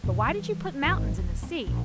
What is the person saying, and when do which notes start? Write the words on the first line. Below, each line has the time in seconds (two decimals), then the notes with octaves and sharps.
"But why did you put mountains in the sea?"
0.04 F2 A#2
0.27 E3 G3
0.83 G#1 E3
1.18 D1
1.43 C4
1.67 A#1